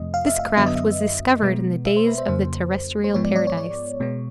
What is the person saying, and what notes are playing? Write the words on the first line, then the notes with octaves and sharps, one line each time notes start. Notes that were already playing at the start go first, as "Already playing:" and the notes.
This craft was discovered in the days of the terrestrial paradise.
Already playing: F2 C3 F3 A3 D#5
F5
E5
F5
F#2 D3 F#3 B3 E5
D#5
E5
B2 G#3 B3
E5
C5
B4
C5
F2 C#3 F#3 A#3 C5
C5
G#2 F3 G#3 B3 C#5
D5
D5
C#5
C#5
B2 G#3 B3